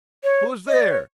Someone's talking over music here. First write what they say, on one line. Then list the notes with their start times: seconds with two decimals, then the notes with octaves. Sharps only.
Who is there?
0.24 C#5
0.68 D#5
0.80 D5
0.91 C#5